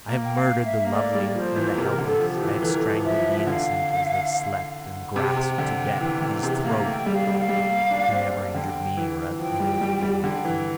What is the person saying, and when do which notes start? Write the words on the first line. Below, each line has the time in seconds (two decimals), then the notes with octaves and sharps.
I have murdered the lovely and the helpless; I have strangled the innocent as they slept and grasped to death his throat who never injured me or any other living thing.
0.08 A#3
0.24 G5
0.36 F5
0.65 E5
0.85 A#3
0.93 A3 D5
1.14 G3
1.35 F3 C5
1.56 E3
1.77 C3 A#4
1.98 D3
2.06 A4
2.19 F3
2.34 G4
2.41 E3
2.62 E3 A4
2.70 A#4
2.77 A4
2.83 F3
3.04 F3 E5
3.26 F3
3.46 D3 F5
5.16 C3 G5
5.37 C3
5.58 D3
6.01 E3
6.22 D3
6.43 C3
6.65 A#3
6.85 A3 G5
7.06 G3
7.14 F5
7.27 G3
7.35 G5
7.41 F5
7.49 G3
7.69 A#3
7.91 D4
8.12 C4
8.54 D3 G5
8.97 E3
9.39 F3 G5
9.60 G3
9.81 G3
10.02 G3
10.23 D3 G5
10.45 E3